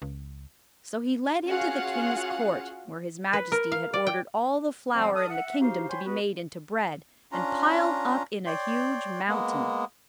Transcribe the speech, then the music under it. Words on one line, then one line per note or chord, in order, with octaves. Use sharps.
So he led him to the king's court, where his majesty had ordered all the flour in the kingdom to be made into bread, and piled up in a huge mountain.
C#2
C#4 F4 F#4 G#4 F5 F#5
B4
A#4
F5
D5
G5
B2 F3 G3 B3 C4
A4 D5 F5 A5 D#6
E5 F#5
D#4 F#4 G4 C5 F5
C5 C#5 G5 G#5 B5 C6
B3 F#4 B4
C#4 D4 F4 A#5
C#5 D5 G5 C6
G#3 A#3 B3